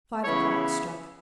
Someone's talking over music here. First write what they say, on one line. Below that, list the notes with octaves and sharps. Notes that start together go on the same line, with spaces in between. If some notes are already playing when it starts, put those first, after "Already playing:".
Five o'clock struck.
C#3 E3 B3 E4 C#5